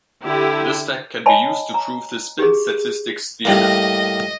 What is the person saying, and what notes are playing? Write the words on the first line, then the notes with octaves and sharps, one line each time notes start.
This fact can be used to prove the spin-statistics theorem.
D3 E4 G4
C#5 D#5 G#5 A5 B5
A#5
G4 G#4
A2 G3 A#3 D#5